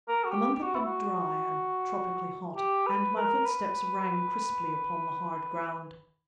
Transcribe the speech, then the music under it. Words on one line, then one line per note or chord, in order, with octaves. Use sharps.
The month had been dry and tropically hot, and my footsteps rang crisply upon the hard ground.
A#4
F#4
G4
G4
F#4
E4
F#4
G4
B4
A#4
B4